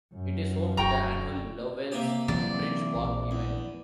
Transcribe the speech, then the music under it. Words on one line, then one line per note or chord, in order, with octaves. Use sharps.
It is home to the annual Lovells Bridge Walk event.
F#2
E1 F#4 G5 A#5
C3 A#3 G4
E3 F#3 C4 D5
A#1
E2